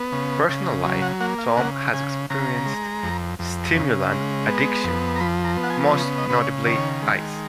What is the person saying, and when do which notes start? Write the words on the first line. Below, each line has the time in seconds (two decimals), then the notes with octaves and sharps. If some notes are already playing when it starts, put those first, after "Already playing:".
Personal Life: Tom has experienced stimulant addiction, most notably 'Ice'.
Already playing: B3
0.12 C#3
0.49 C#3
0.85 F#3
1.02 F#5
1.20 A#3 F#5
1.39 F5
1.57 C#3 F#5
1.93 C#3 G#5
2.30 C#3 A#5
2.66 G#3
3.03 F2
3.39 F2
3.76 C#3
4.12 G#3
4.48 B3
4.84 F2
5.16 A#5
5.20 F3 B5
5.45 A#5
5.57 B3
5.64 F#5
5.70 G#5
5.93 C#3
6.18 D#5
6.30 C#3 B4
6.42 C#5
6.66 D#3 C#5
7.02 G#3